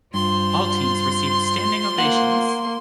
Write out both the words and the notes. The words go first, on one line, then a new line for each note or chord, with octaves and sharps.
All teams received standing ovations.
G2 F4 C5 C6
A#3 F#5